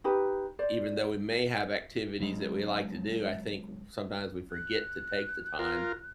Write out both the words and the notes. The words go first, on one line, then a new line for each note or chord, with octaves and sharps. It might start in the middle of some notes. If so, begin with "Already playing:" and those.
even though we may have activities that we like to do, I think, uh, sometimes we forget to take the time
D#4 G4 B4 B5
C5 D5
C#3 F#3 G#3
F#6
F4 A#4